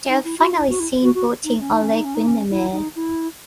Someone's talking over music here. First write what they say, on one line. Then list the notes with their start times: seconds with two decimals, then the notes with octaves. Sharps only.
They are finally seen boating on Lake Windermere.
0.09 D#4
0.24 E4
0.39 F#4
0.53 E4
0.69 F#4
0.80 E4
1.03 F#4
1.14 F#4
1.44 D#4
1.59 C#4
1.70 D#4
1.82 C#4
1.93 D#4
2.04 C#4
2.15 D#4
2.27 C#4
2.50 E4
2.72 D#4
2.95 E4